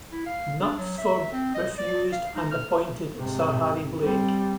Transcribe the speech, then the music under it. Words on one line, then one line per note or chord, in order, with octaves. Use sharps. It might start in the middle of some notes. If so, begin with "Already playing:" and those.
Knutsford refused and appointed Sir Harry Blake.
E4
F5
D4
F#3
E5
C4
D#5
D5
F5
D#4
F6
G#2 C3
G3 C4